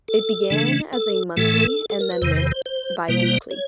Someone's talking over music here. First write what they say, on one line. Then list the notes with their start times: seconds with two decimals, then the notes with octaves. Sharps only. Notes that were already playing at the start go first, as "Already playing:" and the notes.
It began as a monthly and then went biweekly.
0.08 A4
0.50 C#3 E3 A3 D4
0.93 A4
1.37 A2 E3 A3 A4
1.90 A4
2.00 A#4
2.11 B4
2.22 E2 C3 D#3 C5
2.37 C5
2.52 C5
2.66 C5
3.08 B2 G3 A#3 C5
3.51 C#5